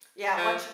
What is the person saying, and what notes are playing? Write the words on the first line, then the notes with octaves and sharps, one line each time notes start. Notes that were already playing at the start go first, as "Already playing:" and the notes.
yeah, once you
F3